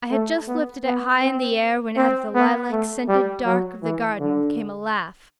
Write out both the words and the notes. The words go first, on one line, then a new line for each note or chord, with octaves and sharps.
I had just lifted it high in the air when out of the lilac-scented dark of the garden came a laugh.
A3
B3
B3
C4
C4
B3
A3
G3
F#3
E3
D3